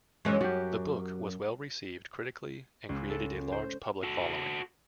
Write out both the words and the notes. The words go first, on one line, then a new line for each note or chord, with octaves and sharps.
The book was well received critically and created a large public following.
F#2 E3 G#3 C#4
F#2 F#4 G4
C#2
A4
C5
F#4 A4